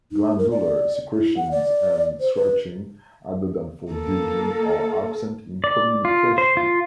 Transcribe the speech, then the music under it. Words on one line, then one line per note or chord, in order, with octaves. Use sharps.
Glandular secretions and scratching, other than for digging, are absent in communication.
D#4
A#4
D5
E4
F#5
D5
C5
B4
A#3 A4
D5
F4
C5
F4